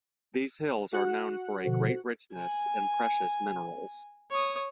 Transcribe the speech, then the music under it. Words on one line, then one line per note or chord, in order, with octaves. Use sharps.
These hills are known for a great richness in precious minerals.
F#4 F#5
B2 D3 F3
G#5
C#5 D#6